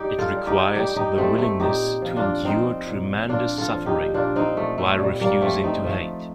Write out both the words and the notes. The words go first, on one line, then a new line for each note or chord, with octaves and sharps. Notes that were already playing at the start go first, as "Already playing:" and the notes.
It requires the willingness to endure tremendous suffering while refusing to hate.
Already playing: G3 D#4 G4
F4 A4
G3
D#4 G4
G3 D#4 G4
D#4 G4
G3 A3 C4
A3
A#2 D#4 G4
F3
D4 F4
F3 C4 D#4
A#2
A#2 D4 F4
F4 A4
F3
D#4 G4
A#2 D4 F4
C4 D#4
A#2 A3
A3
A#2 G3
G3 A#3
F3 A3 C4
C4 D#4
F3 A3